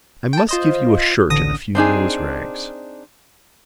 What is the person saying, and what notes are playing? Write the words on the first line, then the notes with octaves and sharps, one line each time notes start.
I must give you a shirt and a few noserags.
G5 A5
F4 C5 D#5
A1 D3 D#6 A#6
C4 D4 D#4 G#4